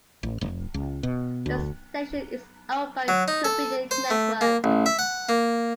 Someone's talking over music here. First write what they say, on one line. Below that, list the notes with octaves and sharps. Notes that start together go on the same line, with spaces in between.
The station is owned by Covenant Network.
A1
F1
C#2
B2
D2
F#3
D#4
A4
C5
A3
A#3
A1
E5
F#5
A#3